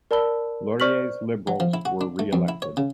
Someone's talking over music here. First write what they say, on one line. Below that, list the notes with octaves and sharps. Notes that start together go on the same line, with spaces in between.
Laurier's Liberals were re-elected.
A#4 D5 A5 B5 E6 G7
C5 D5 C#6 F6 B6 F#7
F#3
F3
E4
F#4
D4
A3
F2
E4
C#5
C#3